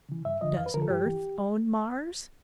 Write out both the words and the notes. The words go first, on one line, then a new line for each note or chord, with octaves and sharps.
"Does Earth own Mars?"
C#3 E3
G2 E5
D3 F3 D#5
F2 F5
B4
D3 F3 A#4
A4
G2 G4
E3